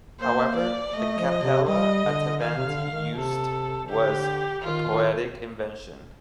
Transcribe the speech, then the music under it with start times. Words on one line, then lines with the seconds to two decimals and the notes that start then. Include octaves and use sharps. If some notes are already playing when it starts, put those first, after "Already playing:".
However, the Cappella Attavanti used was a poetic invention.
0.19 A#3 C5
0.57 D5
0.93 A3 D#5
1.19 F3
1.42 C3
1.67 G3 D#5
2.05 D3
2.42 D#3 F5
2.55 C3
2.67 D3
2.91 D#3
3.15 C3 A4
3.89 D3 G4
4.63 D#3 F4
4.88 D#3